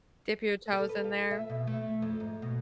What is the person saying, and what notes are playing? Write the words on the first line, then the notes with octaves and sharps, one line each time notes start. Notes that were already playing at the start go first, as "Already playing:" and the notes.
Dip your toes in there,
A4
B4
F4
E5
B2
A3
F2
G#2
B2